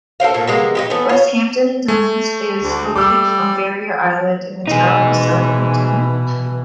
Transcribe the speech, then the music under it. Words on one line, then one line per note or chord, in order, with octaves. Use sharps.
West Hampton Dunes is located on a barrier island in the Town of Southampton.
A4 A#4 C5 F5
A#2 A3 A#3
C3 G#3 A#3 B3
D#4 E4 G4
E3 A3 B3
F4 C#5
A3
D2
G3 D6 E6
B2 E3 D#4 G#4